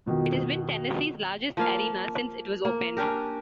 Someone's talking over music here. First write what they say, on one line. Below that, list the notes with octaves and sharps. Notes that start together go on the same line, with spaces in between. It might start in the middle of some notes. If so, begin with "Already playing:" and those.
It has been Tennessee's largest arena since it was opened.
F2 B2 D#3
F3 A#3 F5
A#3
C#4 D4 G4 A#4